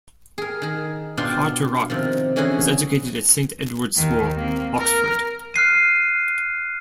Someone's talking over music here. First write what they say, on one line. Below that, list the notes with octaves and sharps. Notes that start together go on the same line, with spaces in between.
Carter-Ruck was educated at Saint Edward's School, Oxford.
G#4 A#4
D#3 G#4
B2 D4 F4 F#5 G5 C6
C3 D#3 F3
D3 E3 C#4 E4 F#4 G#4
D#2 D#3
A#3 C4
A#4
F6 F#6 C7 D#7